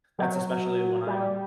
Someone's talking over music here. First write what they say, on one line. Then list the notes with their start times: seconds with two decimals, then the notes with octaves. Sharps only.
That's especially when I'm
0.19 F#3
1.07 G3